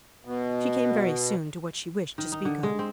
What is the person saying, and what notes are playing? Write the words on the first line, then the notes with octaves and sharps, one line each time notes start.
She came very soon to what she wished to speak of.
B2
D#3
D#4
D3
G#3
C4